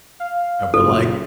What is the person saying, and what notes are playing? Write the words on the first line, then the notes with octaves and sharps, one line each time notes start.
And we're like,
F5
F#1 F4 A4